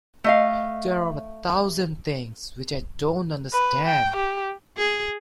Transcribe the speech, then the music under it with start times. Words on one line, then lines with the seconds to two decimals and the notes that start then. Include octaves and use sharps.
There are a thousand things which I don't understand.
0.24 A3 D#5 F5
3.53 B4
3.87 G5
4.16 G4
4.77 G#4